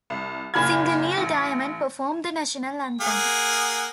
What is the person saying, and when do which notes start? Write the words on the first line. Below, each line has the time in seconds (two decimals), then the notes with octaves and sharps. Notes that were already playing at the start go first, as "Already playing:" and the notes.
Singer Neil Diamond performed the national anthem.
0.10 C2
0.54 F#1 A#2 B5 F6 G#6
1.17 A1
3.01 A#3 G#4 F#5